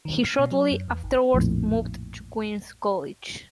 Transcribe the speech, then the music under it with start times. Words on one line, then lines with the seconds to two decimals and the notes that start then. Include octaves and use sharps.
He shortly afterwards moved to Queens' College.
0.05 D#3
0.23 F6
0.39 B2
0.51 F#3
0.71 F#2
0.88 E2
1.03 G#1
1.34 A#1 F2 A2